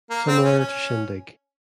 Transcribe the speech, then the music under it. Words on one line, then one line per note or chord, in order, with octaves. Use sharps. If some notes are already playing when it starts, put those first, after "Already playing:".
Similar to Shindig!
A#3
C4
C#4
C#4